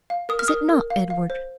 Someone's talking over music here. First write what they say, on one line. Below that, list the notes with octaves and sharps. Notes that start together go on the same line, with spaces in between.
"Is it not, Edward?"
F5
A#4 D#6
F6
A#4 D#6
A#4
F5
F5
C5